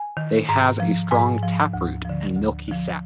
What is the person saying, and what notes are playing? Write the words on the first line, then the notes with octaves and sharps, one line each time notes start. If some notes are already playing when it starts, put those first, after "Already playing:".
They have a strong taproot and milky sap.
Already playing: G#5
D#3
G#2 A#5
F3
G#2 G#5
F3
D2
D3 F3
D2
D3 F3